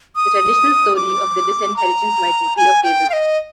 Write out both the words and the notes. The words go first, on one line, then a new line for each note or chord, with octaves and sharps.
The traditional story of the disinheritance might be a fable.
D#6
D6
A#5
G#5
G5
F5
D#5